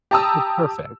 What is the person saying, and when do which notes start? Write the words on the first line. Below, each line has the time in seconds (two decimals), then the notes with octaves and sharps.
Well, perfect.
0.11 G4 A5 A#5 D#6 E6